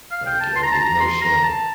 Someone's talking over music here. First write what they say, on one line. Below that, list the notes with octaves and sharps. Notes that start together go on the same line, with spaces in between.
Okay? With no shame.
F5
G5
A5
C6
A#5
A5
A#5
C6
A#5
A5